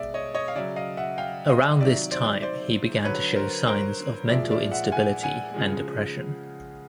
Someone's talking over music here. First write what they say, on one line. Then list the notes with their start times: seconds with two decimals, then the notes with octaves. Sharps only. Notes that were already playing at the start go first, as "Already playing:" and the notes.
Around this time he began to show signs of mental instability and depression.
Already playing: B2 G#3 D5 E5
0.14 C#5 D#5
0.35 C#5 D#5
0.48 F5
0.56 C#3 F#3 D5 E5
0.76 D#5 F5
0.97 E5 F#5
1.18 F5 G5
1.49 D#5 F5
1.80 C3 D#3 F#3 D5 E5
2.11 C5 D5
2.42 C5 D5
3.05 D3 F#3 B4 C#5
3.36 A#4 C5
3.67 A#4 C5
4.30 A#2 F3 G#3 D5 E5
4.51 D5 E5
4.72 E5 F#5
4.92 F#5 G#5
5.23 F#5 G#5
5.54 C#3 F3 G#3